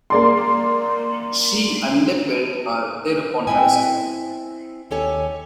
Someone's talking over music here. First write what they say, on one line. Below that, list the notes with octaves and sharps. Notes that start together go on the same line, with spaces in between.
She and LePelt are thereupon arrested.
A#3 D5 C6
C4 D#4 E4 G5 G#5
D#2 G4 A4 C#5 G#5